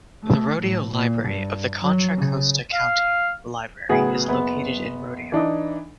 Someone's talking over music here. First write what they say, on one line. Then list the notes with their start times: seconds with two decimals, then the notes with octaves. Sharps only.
The Rodeo Library of the Contra Costa County Library is located in Rodeo.
0.24 A3
0.59 A2
0.92 A#2
1.24 G2
1.82 F#3
2.16 C#3
2.73 F5
3.89 A2 C#3 F#3 B3 F#4 G#4
4.28 F#1 B3
5.32 E3 D4 D#4